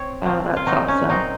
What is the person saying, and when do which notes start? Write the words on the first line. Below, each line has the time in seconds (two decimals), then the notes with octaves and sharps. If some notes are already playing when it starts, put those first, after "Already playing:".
Oh, that's awesome.
Already playing: C4 C#5
0.23 A#2 F#3 C4
0.56 F4
0.66 A#2 F#3 C4 D#4
0.88 C#4
1.09 A#2 F#3 C4 D#4